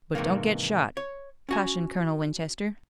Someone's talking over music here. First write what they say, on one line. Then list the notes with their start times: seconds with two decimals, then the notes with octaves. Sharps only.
"But don't get shot," cautioned Colonel Winchester.
0.15 G#2 C3 D#3 E3 A#3
0.97 C#5
1.49 C#4 F#4 G#5